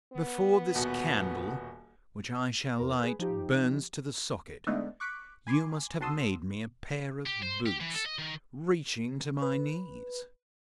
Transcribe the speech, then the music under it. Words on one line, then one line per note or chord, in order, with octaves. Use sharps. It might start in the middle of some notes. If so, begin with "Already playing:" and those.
Before this candle, which I shall light, burns to the socket, you must have made me a pair of boots reaching to my knees.
B3
D#1 B2 F#4
E2 A#4
G#4 B4
F3 D#4 G4
D3 G#3 A3 B3 D4 D#4
C#6 D6 F#6 B6 C#7 D7
G#5 B5 C6 D6
B1 F#4 A5 C6 D#6 E6
G4
C5
G4
E3
A4
D#5
D#3
B4